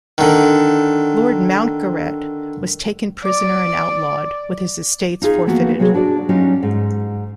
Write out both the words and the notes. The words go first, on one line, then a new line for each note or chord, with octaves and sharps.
Lord Mountgarret was taken prisoner and outlawed, with his estates forfeited.
D3 D#3
D5 D6
D#4 F4 G#4 E5
E3 F3 A#3 B3 F#4 A4
C3 F#3 B3 F#4 G#4
D4 F#4 G#4 D5
F#3 C#4 D#4 F4 G4
G#2